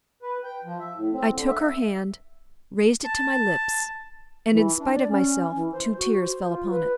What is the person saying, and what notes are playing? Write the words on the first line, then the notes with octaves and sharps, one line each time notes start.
I took her hand, raised it to my lips, and in spite of myself two tears fell upon it.
B4
G5
F3
E5
A2
C4
D3
E5
A5
E3
D4
D5
C#4
E3
C5
F#4
C5
F4
B4